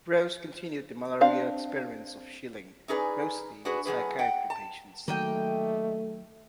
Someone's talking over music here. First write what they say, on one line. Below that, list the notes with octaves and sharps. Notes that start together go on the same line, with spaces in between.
Rose continued the Malaria-experiments of Schilling, mostly with psychiatry patients.
C4 D4 F5
C#4 D#4 G#4 B4 D5
D4 F#4 G#4 B4
A2 F#3 G#4 B4
F#5 G5
A5
D#3 F#3 A3 A#3 D#5 G5